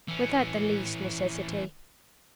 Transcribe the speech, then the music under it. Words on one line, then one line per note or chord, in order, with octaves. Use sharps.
"Without the least necessity."
E3 C#4